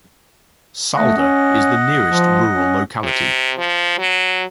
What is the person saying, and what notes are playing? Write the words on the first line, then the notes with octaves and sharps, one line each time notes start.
Salda is the nearest rural locality.
A3 D#5 F#5
C#4
F3
C#4
C3
F3
F#3